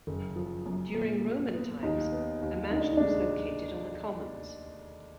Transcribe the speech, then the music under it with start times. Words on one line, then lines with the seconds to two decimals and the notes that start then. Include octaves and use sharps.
During Roman times, a mansion was located on the commons.
0.07 F#1
0.36 F3
0.66 F#2
0.95 A#2
1.25 A#2
1.54 B3
1.83 D#2 D#4
2.12 B3
2.42 D#2
2.71 D2 D#4
2.80 D4
2.97 G#3 D4